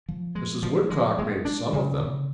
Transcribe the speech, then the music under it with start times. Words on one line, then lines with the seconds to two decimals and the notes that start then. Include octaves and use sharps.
"Mrs. Woodcock made some of them."
0.09 F3
0.35 G#3
0.63 F3
0.90 G#3
1.19 G#3
1.45 D4
1.73 C#3
2.01 C#3